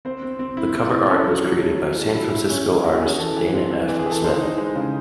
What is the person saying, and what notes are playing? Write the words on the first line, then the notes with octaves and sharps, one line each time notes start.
The cover art was created by San Francisco artist Dana F. Smith.
C4 C5
C4
C4
E4
C4
E4
C#4 A4
F#3
F#3
F#3
F#3
F#3
E4
E4
C#4
C#4 G#4
E4 F#4
C#4 G#4
E3 A4
E3
C4
E3
E3
G#4
E3
A4
D#4 C5
D#4
G#3
C#3